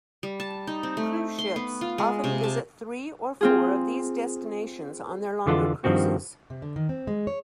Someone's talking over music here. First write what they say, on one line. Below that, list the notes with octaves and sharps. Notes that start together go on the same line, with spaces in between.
Cruise ships often visit three or four of these destinations on their longer cruises.
G3
A5
D#4
C4
A3
C6
B3
F4
G#3
C3
A5
C4 F4 G#4
F2 D3 E3 F4 F#5 A5
G2 D#3 F3 C4 F#4
C3
D3
D#3
C4
G#3
C#5